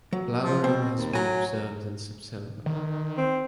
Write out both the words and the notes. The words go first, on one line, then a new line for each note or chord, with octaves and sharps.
Flowering has been observed in September.
F#3
F3
B2 C4
D#2
F#3 G#5 A#5
D#3
C4